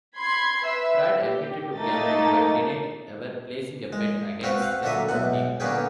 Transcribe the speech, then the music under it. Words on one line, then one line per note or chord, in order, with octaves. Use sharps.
Pratt admitted to gambling but denied ever placing a bet against his own team.
B5 C6 G#6 C7
B4 E5 E6
G4
A3 A#3 D#4 D#5 A6
G#3
C4 F4 F#4 B4
F5 F#5
A#2 D3 F#3 A4 E5 D#6
B1 E2 F#5
A#2 D3 B3 C#4 G#4 G5